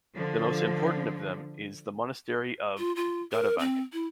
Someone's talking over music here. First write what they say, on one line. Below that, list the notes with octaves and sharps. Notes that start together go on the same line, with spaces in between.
The most important of them is the monastery of Dadivank.
D3 F3
F4
F4
A#4
C4
E4